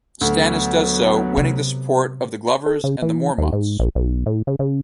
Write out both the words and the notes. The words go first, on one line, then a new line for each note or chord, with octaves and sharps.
Stannis does so, winning the support of the Glovers and the Mormonts.
D2 F#3 B3
C3
A4
C#3
E3
D#2
G#2
A#1
B1
A2
C#3
C#3